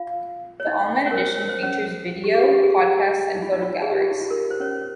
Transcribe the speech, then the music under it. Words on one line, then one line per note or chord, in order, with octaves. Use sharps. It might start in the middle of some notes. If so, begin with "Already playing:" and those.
The online edition features video, podcasts and photo galleries.
Already playing: F4 F5
C#5
D#4 D#5
C#4 C#5
A#4
C5
C#5
C5
C#4 C#5
G4
G#4
G4
F4
G4
G#4
D#4
F4
D#4
F4
G#4
G4
F4
D#4
F4
A#4
C5
C#4 C#5